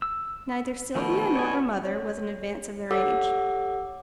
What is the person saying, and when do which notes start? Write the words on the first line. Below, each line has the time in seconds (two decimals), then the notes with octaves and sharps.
Neither Sylvia nor her mother was in advance of their age.
0.02 E6
0.95 B2 D#3 F3 A3
1.36 C#5 D5 G#5
1.85 C#5
2.91 G4 A4 C#5 F#5 D6 E6